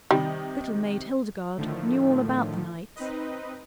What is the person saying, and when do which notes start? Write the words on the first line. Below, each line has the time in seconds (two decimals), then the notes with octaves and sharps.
Little Maid Hildegarde knew all about the knights.
0.11 C3 D#3 G3 D#4
1.57 A2 D3 D#3 F3 A3
2.96 C4 D#4 B4 D#5